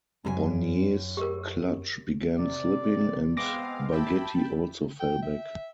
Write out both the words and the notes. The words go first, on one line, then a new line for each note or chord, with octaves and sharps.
Bonnier's clutch began slipping and Baghetti also fell back.
F#2 A4 G#5
G4 A#4
C3 D5
G#3 B3 C4 F5 D6 A#6
E4 G5 A5 B5
G5
E5